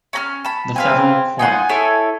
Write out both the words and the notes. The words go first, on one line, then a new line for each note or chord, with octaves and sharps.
The federal court.
C#4 A#5 F6
A5 B5
C4 B4 F5 G#5
D#4 F4 F#5 G#5
E4 A4 C#5